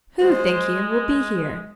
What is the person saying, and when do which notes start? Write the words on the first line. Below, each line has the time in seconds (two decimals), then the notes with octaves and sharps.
Who, think you, will be here?'
0.22 G#3 C5